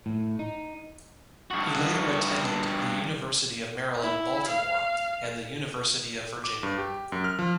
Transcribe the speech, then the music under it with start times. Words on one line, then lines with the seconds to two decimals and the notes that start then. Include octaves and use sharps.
He later attended the University of Maryland, Baltimore, and the University of Virginia.
0.06 A2
0.39 D#4
1.51 G2 F#4
4.01 E4
4.48 F5
6.44 D6
6.63 G2
6.78 G4
7.12 F#2
7.24 F6
7.39 F3